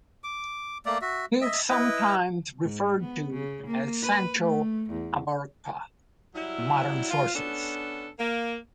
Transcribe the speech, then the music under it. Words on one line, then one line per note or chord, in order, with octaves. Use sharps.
He is sometimes referred to as Sancho "Abarca" by modern sources.
D6
A3 A#3 D5
F#4 E5
D#5 E5
E4 B4 D#5
G#2
B3
C#3
A#3
B4
A3
E2
F#3 G3 E4
F4
B3 C#4 D4 A4
A#3